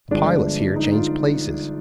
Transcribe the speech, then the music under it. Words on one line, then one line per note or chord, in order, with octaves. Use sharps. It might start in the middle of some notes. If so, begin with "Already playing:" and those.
The pilots here changed places.
G1 G2 F3 G#3 D4
D#4
F4